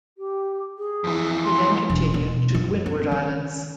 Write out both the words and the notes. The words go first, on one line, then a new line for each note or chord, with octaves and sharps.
He then continued to the Windward Islands.
G4
G#4
F2 E3
C6
E1
B2
F#2 F4
C4
D#3